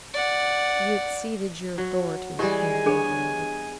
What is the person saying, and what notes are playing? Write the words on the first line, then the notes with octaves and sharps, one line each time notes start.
"You exceeded your authority," he reiterated.
D5 F#5
F#3
E3 G3 G#3 G4 D5 G#5
B3 D4 G#4 C#5